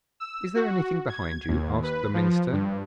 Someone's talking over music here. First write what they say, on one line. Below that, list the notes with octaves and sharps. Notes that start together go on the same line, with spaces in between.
'Is there anything behind you?' asked the minister.
E6
F#4
G#6
D#2
B4
F3
G2